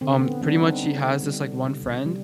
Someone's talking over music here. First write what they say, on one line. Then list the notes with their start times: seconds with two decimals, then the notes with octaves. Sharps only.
um, pretty much he has this like one friend.
0.01 D3 C4
0.21 B3
0.42 G3 B3 D4
0.63 C4 D#4
0.84 D3
1.23 G3
1.65 C3
2.06 G3